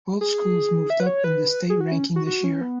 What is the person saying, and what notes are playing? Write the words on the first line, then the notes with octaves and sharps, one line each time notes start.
Both schools moved up in the state ranking this year.
G#4
E5
B4
C#5
B4
G#4
F#4
C#4
F#4
F#4
C#4
B3